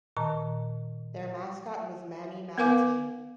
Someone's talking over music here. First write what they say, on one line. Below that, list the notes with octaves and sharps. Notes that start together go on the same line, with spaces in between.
Their mascot was Manny Manatee.
A#2 D#3 A5 A#5
B3 A#4 B4 F5 G#5 D6